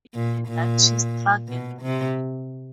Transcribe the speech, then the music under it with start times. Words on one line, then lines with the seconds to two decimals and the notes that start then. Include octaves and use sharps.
In the night she struggled with him.
0.14 A#2
0.48 A#2
1.48 B2
1.82 C3